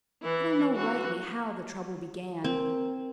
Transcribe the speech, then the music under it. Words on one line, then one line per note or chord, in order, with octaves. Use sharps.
I don't know rightly how the trouble began.
E3 E4
E3 F#4
C4 A#4